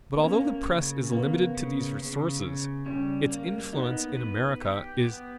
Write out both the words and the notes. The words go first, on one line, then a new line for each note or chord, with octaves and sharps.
But although the press is limited to these resources, its influence in America is immense.
B3
A#3 C#4
C#3
A#3 B3
C#3
C#3
C#3
G3 C#4
A#3
B3 D#4
B4
G4
B3